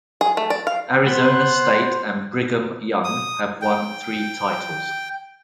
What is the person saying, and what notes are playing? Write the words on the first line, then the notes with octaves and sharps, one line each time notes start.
Arizona State and Brigham Young have won three titles.
G#4
A3
D5
F5
B3 C5 F#6
D#6
G5